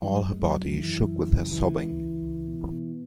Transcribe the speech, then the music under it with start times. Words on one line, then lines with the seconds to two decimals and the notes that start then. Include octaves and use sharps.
All her body shook with her sobbing.
0.02 E3
0.07 F#2 F#3
0.31 F#2 G#3
0.43 F#3
0.56 F#2
0.72 D#3
0.79 F#2 E3
1.03 F#2
1.27 C#3
1.51 C#2 E3
1.75 C#2
1.98 C#2
2.22 C#2
2.47 B2
2.71 B2